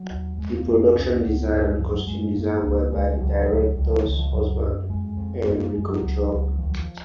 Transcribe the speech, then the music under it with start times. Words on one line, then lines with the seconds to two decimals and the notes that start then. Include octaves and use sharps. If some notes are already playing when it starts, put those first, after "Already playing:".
The production design and costume design were by the director's husband, Enrico Job.
Already playing: F#3
0.10 D#2
0.38 F2 G#3
0.57 A#3
0.66 F2 G#3
0.76 A#3
0.94 C#2 C#4
1.22 C#2 B3
1.51 F#2
1.65 G#3
1.79 F#2 F3
1.93 F#3
2.07 F#2 G#3
2.35 F#2 A#3
2.64 C#2 A#3
2.92 C#2 G#3
3.09 G#3
3.20 C#2 F#3
3.48 C#2
3.76 C#2
3.86 F#3
3.90 F3
4.05 C#2 D#3
4.19 F3
4.32 F#2 F#3
4.61 F#2
4.90 F2 G#3
5.17 F2
5.35 B3
5.45 F#2 A#3
5.60 A#3
5.74 F#2 G#3
5.88 F#3
6.02 C#2
6.30 C#2
6.58 D#2 F3
6.69 F#3
6.79 F3